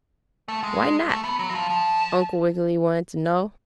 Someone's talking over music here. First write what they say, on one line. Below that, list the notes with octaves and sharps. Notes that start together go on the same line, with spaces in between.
"Why not?" Uncle Wiggily wanted to know.
A3
G#3
A3
B3
F#3
E3
F3
F3